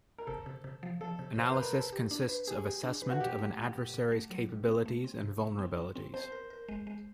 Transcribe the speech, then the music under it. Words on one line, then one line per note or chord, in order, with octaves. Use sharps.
Analysis consists of assessment of an adversary's capabilities and vulnerabilities.
A#4
C3 A4
C3
C3
F3
F3 A4
C3
C3 C5
B4
C3
A#4
A4 B4
G4
D4
B4
G4 G#4
G4
D4
B4
F#4
A#2 G4
A3
A3
A#2
A#2
A3
F#3
A#2
C4
A3
C4
C3
A3
C4
C4
C4
C4 C5
A#4
A#4
G#3
G#3